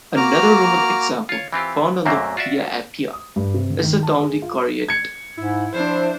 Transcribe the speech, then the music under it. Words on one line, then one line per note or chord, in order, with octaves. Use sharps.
Another Roman example, found on the Via Appia, is the Townley Caryatid.
A#3 F#4 A#5 D6 F6
F4 C#5
E3 C4 F4 G4
F#2 A#2 F#3 A3 A#3 C4
F4 F#4 D5 E5
D#6
G2
C3
D3
D#3
A5
G#4
F4
G#6 C#7
G#2 E4
F3 D4 C5